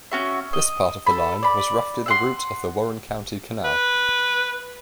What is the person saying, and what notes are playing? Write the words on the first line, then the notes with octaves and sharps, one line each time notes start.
This part of the line was roughly the route of the Warren County Canal.
C#4 F#4 E5
D#5
A4 B5
D5 B5
E5 F#5 C6
B4